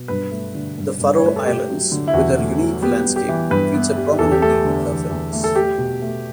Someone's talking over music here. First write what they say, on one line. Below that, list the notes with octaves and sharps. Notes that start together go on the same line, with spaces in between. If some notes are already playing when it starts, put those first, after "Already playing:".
The Faroe Islands, with their unique landscape, feature prominently in her films.
Already playing: B2
G2 B4
A3
D3
G2
G2
C#5
A3 B4
A4
A3 G4
F#3
D3
E4
E2 F#4
A3
F#3
B3 G4
G3
G4
E3
G2 B4
B3
G3
E2 A4
G4
A3 A4
D3
E2
E2
A3
A4
A3 G4
B2
A3